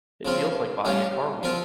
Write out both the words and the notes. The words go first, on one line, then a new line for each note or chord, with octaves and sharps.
It feels like buying a car wheel.
C#3 F3 C4 F4
G3 C#4 F4
F3 C4 F4